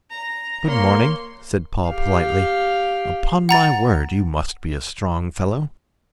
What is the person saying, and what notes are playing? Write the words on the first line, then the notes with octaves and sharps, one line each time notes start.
'Good morning,' said Paul politely; 'upon my word, you must be a strong fellow!'
A#5
A#3 C#5 C6
G4 F5
F#5 A#5 A6